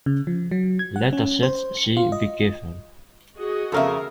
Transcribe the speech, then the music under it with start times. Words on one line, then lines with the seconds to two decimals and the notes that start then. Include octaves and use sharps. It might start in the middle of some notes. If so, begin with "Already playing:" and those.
Let a set "C" be given.
0.06 C#3
0.27 F3
0.51 F#3
0.79 G#6
0.96 F#5
1.13 C#4
1.43 C5
1.77 C#7
1.97 F4
2.12 D#5
3.37 F#4 G#4 D#5
3.72 F2 C#3 A4 A#4 E5 F5